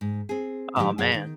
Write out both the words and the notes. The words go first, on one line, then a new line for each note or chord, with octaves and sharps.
Oh, man,
G#2
C4 G#4
A2 D3 D#3 F#3 G4
F#2 B2 G#4 C5 F#5 G5
D#3